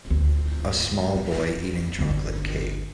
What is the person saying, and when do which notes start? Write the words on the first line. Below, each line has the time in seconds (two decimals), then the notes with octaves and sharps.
A small boy eating chocolate cake.
0.10 D2
1.15 D#4
1.99 G1 D3